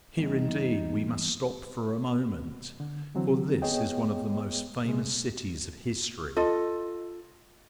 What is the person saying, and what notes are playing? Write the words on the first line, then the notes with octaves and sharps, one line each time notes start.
Here indeed we must stop for a moment, for this is one of the most famous cities of history.
E2 G2 D#4
D3
D3 E3 F#3 C4
B3 G#4 C#5 D#5 G5
C3 G#3
F4 A4 D#5